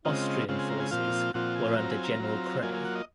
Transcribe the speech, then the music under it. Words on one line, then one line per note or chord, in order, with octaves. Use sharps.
Austrian forces were under General Kray.
C#3 G#3 C4 F4 D#5
C#3 G#3 C4 F4
G#5
A#5
G#5
A#2 F3 C4 F4 F5
A#2 F3 C4 F4 F#5
G#5
F#3 C4 F4 A#5
G#5
A#5
F#3 C4 F4
F#3 A#3 F4 G#5
G#5
F#5
D#5